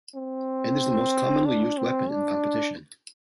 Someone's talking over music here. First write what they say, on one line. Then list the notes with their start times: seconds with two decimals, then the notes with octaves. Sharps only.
It is the most commonly used weapon in competition.
0.15 C4
1.45 D4
1.79 C4
2.10 D4